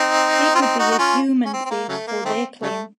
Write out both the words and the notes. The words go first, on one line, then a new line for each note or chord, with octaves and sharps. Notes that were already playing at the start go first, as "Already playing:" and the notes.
He could be a human face for their claim.
Already playing: C4 D#4
F4
C4 D#4
D#4 F#4
F#4
C#4 F4
C#4
C4
C4
A#3
C#3 F#3 A3
A#3
D#3 A3 C4
C#3 F#3 A3